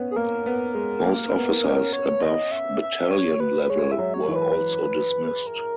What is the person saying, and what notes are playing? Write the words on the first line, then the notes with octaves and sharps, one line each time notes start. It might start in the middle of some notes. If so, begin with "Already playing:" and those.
Most officers above battalion level were also dismissed.
Already playing: B3 C#4
G#4
A#3 A#4
B3
G#3
A#3
B3
C#4
C#5
D#5
E5
E5
C#5
B4
G#3 C#5
E5
F#3
C#5
E3
B4
A#4